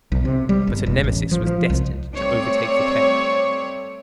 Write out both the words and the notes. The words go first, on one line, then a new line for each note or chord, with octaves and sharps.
But a nemesis was destined to overtake the pair.
B1
C3
G3
G1
E1
A1
F3
F3
C2
G3 A3 C4 C#5 D5